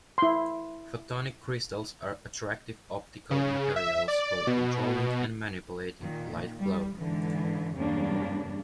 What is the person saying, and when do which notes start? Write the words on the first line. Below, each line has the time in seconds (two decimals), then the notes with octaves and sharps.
Photonic crystals are attractive optical materials for controlling and manipulating light flow.
0.18 E4 C6
3.31 C#3
3.76 E5
4.08 D5
4.47 B2
6.00 A#2 D#3
6.61 G3
6.97 G#2 D3 E3
7.74 E2 G2 C#3 G3 A#3 D4